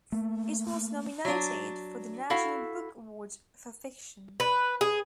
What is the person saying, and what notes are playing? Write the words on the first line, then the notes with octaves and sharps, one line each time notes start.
It was nominated for the National Book Award for fiction.
A3 A#3
F#3 D4
E4 F#4 A4 F5
B4
G#4